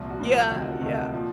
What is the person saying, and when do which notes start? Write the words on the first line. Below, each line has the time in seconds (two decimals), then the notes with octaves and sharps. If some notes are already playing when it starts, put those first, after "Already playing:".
Yeah, yeah.
Already playing: C2 A#2 F3
0.10 F#4
0.20 C2 A#2 F3
0.50 D2 C3 D#3 F#4
0.61 F4
0.72 F#4
0.82 D2 C3 D#3
1.12 A#2 F3